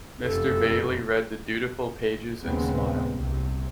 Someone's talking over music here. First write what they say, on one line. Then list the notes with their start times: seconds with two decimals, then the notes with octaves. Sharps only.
Mr. Bailey read the dutiful pages and smiled.
0.21 F1 F#2 A4
2.43 D#2 A#2 C#3 G#3 B3 C4
3.16 C2 C3